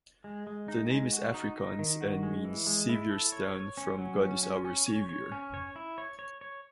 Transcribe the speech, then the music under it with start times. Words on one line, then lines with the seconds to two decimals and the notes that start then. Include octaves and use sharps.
The name is Afrikaans and means "Saviour's Town", from "God is our Saviour".
0.24 G#3
0.47 G#3
0.68 D#4
0.90 G#3
1.12 F#4
1.34 D#4
1.56 D#4
1.79 D#3
2.01 F#4
2.23 G#3
2.45 E3
2.67 G#3
2.89 E4
3.11 A4
3.32 C#5
3.55 C#5
3.77 C#4
3.98 F#3
4.21 C#4
4.43 C#4
4.65 C#4
4.86 C#5
5.09 C#5
5.32 C#4
5.54 C#5
5.76 E4
5.98 C#5
6.19 C#5
6.41 C#5